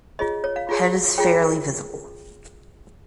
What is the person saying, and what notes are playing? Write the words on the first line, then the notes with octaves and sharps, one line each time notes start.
Head is fairly visible.
F4 G#4 C#5 D#5
C#5
F5
F4 G#4 C#5
F4 G#4 C#5 G5